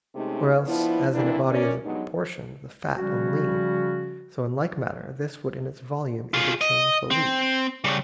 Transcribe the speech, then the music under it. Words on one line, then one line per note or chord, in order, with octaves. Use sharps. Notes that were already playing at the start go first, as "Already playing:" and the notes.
Or else, as in a body is apportioned The fat and lean, so in like manner this Would in its volume interchange the leaves.
C3 G#3 A3 C#4 D#4 G4
F3 B3 D4 E4
D3 E3 A#3 C4 D4 E4
C#4 A#4 D5
G2 F#3 G#3 B3 D#4
C#3 F3 G3 C#4 F#4
F4 G#4
D#5
C4
C#3 G3